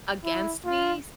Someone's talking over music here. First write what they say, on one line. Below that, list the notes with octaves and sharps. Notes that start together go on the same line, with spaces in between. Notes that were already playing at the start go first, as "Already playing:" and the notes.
against me s
E4
F4